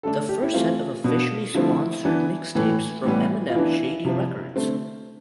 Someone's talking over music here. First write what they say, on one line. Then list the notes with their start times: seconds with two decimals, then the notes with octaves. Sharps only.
The first set of officially sponsored mixtapes from Eminem's Shady Records.
0.03 D3 A3 D4 A4
0.29 G4
0.43 E4
0.54 E3 A3 C4 F4
1.04 B2 B3 D4
1.54 D3 F3 A3 C4 E4
2.05 E3 B3 D4
2.55 A2 E3 A3
3.05 A2 E3 G3 B3
3.50 F4
3.55 E3 B3 D4 E4
4.05 C3 F3 C4
4.56 D3 A3 C4